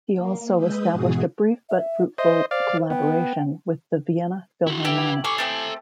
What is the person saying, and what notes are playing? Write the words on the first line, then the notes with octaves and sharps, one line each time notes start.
He also established a brief but fruitful collaboration with the Vienna Philharmonic.
A#3
G#3 B4 D#6 E6 G6
G#2 B2 E3 F#4 G#4 D#6
E5
C5 D#5 E5
C5 D5 F5
B3 G5
E4 F#4
E4 G4 B4 E5
A4 G#5 C#6 D6
A3 C4 G4